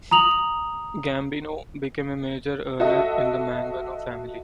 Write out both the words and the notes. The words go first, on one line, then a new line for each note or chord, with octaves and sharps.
Gambino became a major earner in the Mangano family.
A#5 D#6 F7 F#7
F#4 A4 D#5 E5